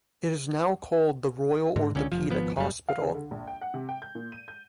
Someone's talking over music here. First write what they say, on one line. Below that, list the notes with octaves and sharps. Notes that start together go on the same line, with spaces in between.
It is now called the Royal Orthopaedic Hospital.
G#2 D3
C#2 D3 C#4
F1 F3
G#1 F3 B3
F#1 F#2 G3
F5
C#3
D3
A#1
G5
F#5
C3
G5
G6
A#2
D#7
G6